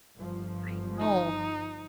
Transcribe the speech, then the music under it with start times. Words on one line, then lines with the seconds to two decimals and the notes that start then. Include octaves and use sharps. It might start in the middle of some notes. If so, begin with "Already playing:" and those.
I know.
0.16 G1 F3
1.00 D#4